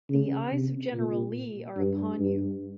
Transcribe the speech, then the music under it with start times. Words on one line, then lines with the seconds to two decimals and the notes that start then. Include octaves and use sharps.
The eyes of General Lee are upon you.
0.10 C#3
0.52 C3
0.93 A#2
1.77 G2
2.19 G2